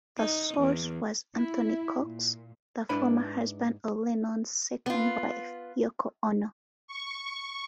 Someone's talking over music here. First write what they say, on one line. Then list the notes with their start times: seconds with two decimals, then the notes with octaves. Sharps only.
The source was Anthony Cox, the former husband of Lennon's second wife, Yoko Ono.
0.18 D#4
0.58 E2
1.36 E4
2.00 A#2
2.89 G#2 D4 E4 B4 B5
4.86 B3 F4
6.87 C#6